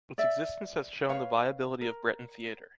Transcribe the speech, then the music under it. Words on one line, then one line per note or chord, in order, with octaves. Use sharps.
Its existence has shown the viability of Breton theater.
D5 E5
B4 C#5 F5
A#4